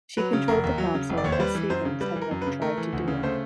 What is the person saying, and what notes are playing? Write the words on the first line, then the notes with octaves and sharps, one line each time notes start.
She controlled the Council as Stevens had never tried to do.
F#3 B4
C#3
F1 A#4
D#2
F#3
C#3
F1
D5
D#2 C#5
C5
G3 B4
E3
F#2 C5
C#3
G3 B4
E3
A#4
F#2
B4
C#3
A3 A#4
E3
D2
C#3
A3 C5